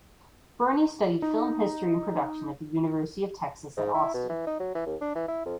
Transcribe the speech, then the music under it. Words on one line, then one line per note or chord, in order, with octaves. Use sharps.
Berney studied film history and production at the University of Texas at Austin.
D#4
G#2
E4
B2
E3
D#4
F#3
E3
D#2
D4
E3
E4
F2